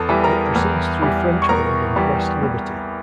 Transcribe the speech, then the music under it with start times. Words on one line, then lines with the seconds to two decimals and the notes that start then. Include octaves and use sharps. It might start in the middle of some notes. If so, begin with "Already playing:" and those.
It proceeds through Frenchburg and West Liberty.
Already playing: E2 A4 A5
0.09 E3 G3
0.24 A#4 A#5
0.55 E2
1.02 E3 G3
1.42 C#6
1.49 E2 A#4 A#5
1.96 E3 G3
2.43 E2